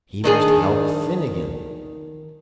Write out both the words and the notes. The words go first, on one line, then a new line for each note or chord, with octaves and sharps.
He must help Finnegan.
D#3 D4 G#4